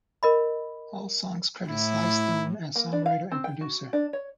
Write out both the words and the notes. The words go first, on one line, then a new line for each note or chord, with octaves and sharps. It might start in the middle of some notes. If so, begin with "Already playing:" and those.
All songs credit Sly Stone as songwriter and producer.
A#4 D#5 B5
A2 E4
A#3
D4
F5
C4
G5
F#4
D4
C#5